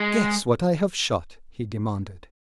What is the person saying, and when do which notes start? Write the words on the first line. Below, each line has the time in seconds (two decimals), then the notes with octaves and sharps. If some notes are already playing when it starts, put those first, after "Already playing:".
"Guess what I have shot," he demanded.
Already playing: G#3